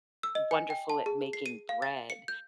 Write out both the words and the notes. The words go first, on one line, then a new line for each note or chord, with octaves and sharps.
wonderful at making bread,
E6
D#5
G#5
G5
A5
G#4
C7
D#7
F5
A6
C#7
G6